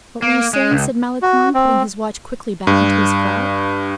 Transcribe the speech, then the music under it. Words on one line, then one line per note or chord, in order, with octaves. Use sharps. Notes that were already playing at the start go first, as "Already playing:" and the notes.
"What were you saying?" said Malicorne, putting his watch quickly back into his fob.
A#3
G#3
C#2
F#4
C4
G2